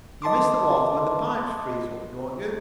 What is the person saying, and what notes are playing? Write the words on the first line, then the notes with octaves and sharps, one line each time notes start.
You miss the water when the pipes freeze up, don't you?
D#5 A5 C6 D6